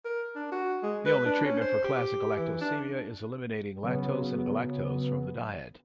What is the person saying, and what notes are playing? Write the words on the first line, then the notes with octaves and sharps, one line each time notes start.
The only treatment for classic galactosemia is eliminating lactose and galactose from the diet.
A#4
D4
F#4
G#3
B4
D4
C#4
C5
G4
E3
D4
C#3 F#3 B3